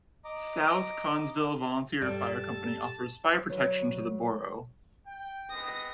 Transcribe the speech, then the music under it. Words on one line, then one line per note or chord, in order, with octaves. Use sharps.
South Connellsville Volunteer Fire Company offers fire protection to the borough.
D#5 A#5 D6
G2 G3 A4 A5
D2 F#3 B4
G5
G#3 B3 C4 D#6 A#6